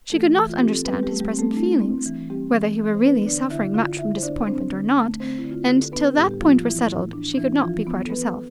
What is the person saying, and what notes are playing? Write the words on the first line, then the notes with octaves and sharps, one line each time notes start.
She could not understand his present feelings, whether he were really suffering much from disappointment or not; and till that point were settled, she could not be quite herself.
E3 A3 A4
E3
F4
C4 G4
A4
B3 C4 B4
G3 G4
A3
G3 G4
C4
A3 A4
D4
A3 E4
C4
E3
G3 C4 G4
E3
E3
C5
B3 D4 B4
D3 D4 D5
D3 E4 E5
D3 F4 F5
D3 E4 E5
C5
D3 D4 D5
C4 D4 C5
D3
A3
D3 C4 C5
E4
D3
F4
D3 G4
A4
B3 D4 B4
A2 G3 G4
G4
F3 B3 F4
E3 E4
A2
D4
D4
E3 E4
E3 F3 F4
B3
A4
B3 B4